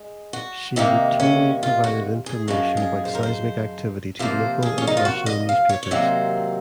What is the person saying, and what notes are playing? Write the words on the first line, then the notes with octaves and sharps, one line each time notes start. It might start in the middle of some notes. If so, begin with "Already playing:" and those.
She routinely provided information about seismic activity to local and national newspapers.
Already playing: G#3
F#4
C3 D#3 A#3 D#4
C#4
F4
F#4
G#4
F#2 F3 G#3 F#4
G#4
C5
A#4
C5
C3 F3 A#3 C5
G#4
C#4
D#4
F4
F#4
D#5
F5
C#5
C#5
C3 D#3 F#3 A#3 C5